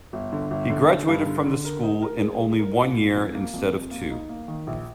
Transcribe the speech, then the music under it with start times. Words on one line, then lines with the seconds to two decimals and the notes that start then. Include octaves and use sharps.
He graduated from this school in only one year instead of two.
0.13 G1
0.33 D3
0.51 G1
0.70 D3
0.89 D3
1.08 G2
1.27 D3
1.46 D3
1.65 A#4
1.83 D#4
2.02 A#4
2.21 G#3
2.40 G#3
2.59 A#4
2.78 A#2
2.97 A#2
3.16 F2
3.35 A#3
3.54 F2
3.73 F2
3.91 A#3
4.10 D#4
4.29 A#3
4.48 D#3
4.67 A#1